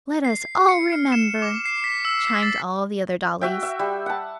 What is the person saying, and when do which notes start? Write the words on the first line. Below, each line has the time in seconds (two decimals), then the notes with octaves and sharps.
"Let us all remember," chimed all the other dollies.
0.25 C7
0.69 C#7
0.92 F6
1.12 E7
1.42 D6
1.65 C7
1.84 B6
2.05 E6
2.42 A6
3.41 F#4 E5 G5
3.62 E5
3.79 G3
4.06 F#5 A5